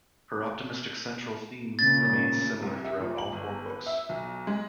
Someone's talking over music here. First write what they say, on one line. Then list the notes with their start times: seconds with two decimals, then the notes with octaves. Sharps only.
Her optimistic central theme remains similar throughout all four books.
1.79 A#2 C#3 A6
2.62 C2
2.85 E5
3.00 A#2
3.18 F#7
3.32 G1
3.70 B4
3.86 E5
4.09 B1
4.47 G#3